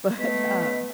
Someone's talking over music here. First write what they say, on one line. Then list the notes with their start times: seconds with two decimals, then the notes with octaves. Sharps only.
But, uh,
0.19 A3 B3 D#5 B6